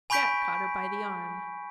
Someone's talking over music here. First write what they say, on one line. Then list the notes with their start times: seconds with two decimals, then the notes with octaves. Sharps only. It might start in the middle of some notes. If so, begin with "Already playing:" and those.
Jack caught her by the arm.
0.10 G#5 B5 C#6 G6 B6 D7